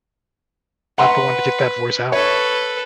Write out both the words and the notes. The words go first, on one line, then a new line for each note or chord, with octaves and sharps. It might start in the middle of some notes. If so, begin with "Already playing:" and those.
not the one to get that voice out.
B4 F#5 A#5 C6
A4 B4 C#5